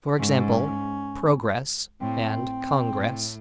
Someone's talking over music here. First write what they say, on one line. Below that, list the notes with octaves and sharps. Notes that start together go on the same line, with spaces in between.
For example, Progress and Congress.
G#2 C#4
A2 C4
A2